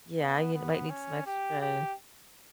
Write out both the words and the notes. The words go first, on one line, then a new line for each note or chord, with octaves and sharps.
yeah, you’d might need some extra
B3
B3
C#4
G4
G4